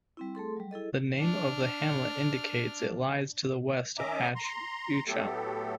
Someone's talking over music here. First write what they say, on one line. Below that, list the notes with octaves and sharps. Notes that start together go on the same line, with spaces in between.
The name of the hamlet indicates it lies to the west of Hatch Beauchamp.
G3 C4 E4
A3 G#4 A4 C6
F#3 G3
E4 G#4 A4 D#5
D4 F6
D#3 C#4 D#5 E5 A#5 D6
A#5 C6
A2 F#3 A3 B3 G4 A4